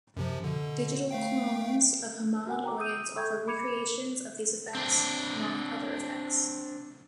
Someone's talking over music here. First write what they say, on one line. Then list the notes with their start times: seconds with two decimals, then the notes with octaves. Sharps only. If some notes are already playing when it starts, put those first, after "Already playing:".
Digital "clones" of Hammond organs offer recreations of these effects, along with other effects.
0.17 F#2 C3 F3
0.44 B2 D3
1.11 A3 F5 G5
2.47 F#4 A#4 F#5 G#5
2.63 G5 A#5 D6
2.80 D#6 E6 G6 D#7
3.16 A4 E5 G5 C#6 G6 G#6
3.47 B5 D6 G#6 C#7
4.75 C4 D4